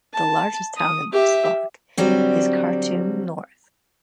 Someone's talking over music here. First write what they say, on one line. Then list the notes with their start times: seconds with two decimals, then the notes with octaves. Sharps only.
The largest town in this block is Khartoum North.
0.13 A5
0.77 D#6
1.13 G4 E5
1.97 D3 F#3 G3 C4